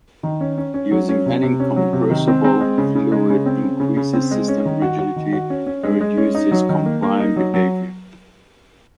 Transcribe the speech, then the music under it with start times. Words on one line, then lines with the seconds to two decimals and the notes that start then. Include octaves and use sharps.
Using an incompressible fluid increases system rigidity and reduces compliant behavior.
0.23 D#3
0.41 C#4
0.58 C#4
0.74 C#4
0.91 F#3
1.09 C#4
1.26 C3
1.43 C3
1.60 C#4
1.76 F#3
1.93 C3
2.10 D#3
2.28 C4
2.44 C4
2.61 G#3
2.78 C#3
2.95 C#3
3.12 G#3
3.30 C#3
3.46 C4
3.63 C#3
3.80 C#3
3.97 C#3
4.13 C4
4.31 G#3
4.48 C#4
4.65 D#3
4.82 F#4
4.99 F#4
5.16 D#3
5.33 F#4
5.50 C#4
5.66 C#4
5.83 G#3
6.01 G#3
6.17 C#4
6.35 D#4
6.51 F#3
6.69 D#3
6.86 A#3
7.03 A#3
7.20 D#4
7.36 F#3
7.54 F#3